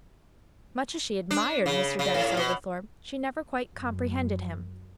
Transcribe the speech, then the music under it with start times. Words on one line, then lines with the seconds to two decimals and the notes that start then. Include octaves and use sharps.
Much as she admired Mr. Denis Oglethorpe, she never quite comprehended him.
1.31 D4
1.66 C#3
1.99 C#3
2.14 A2
2.37 B2
3.73 F#2